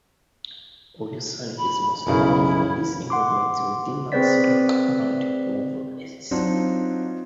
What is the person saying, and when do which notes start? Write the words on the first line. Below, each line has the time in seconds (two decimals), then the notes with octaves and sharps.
Olson is mostly known for his involvement with the noise rock band Wolf Eyes.
1.58 B5
2.07 B1 F#2 C#3 E4
3.10 F#5 C6 D6
4.12 C4 G#4 B4 C5 D5 B6
6.31 F#3 C4 D4 D#4 F4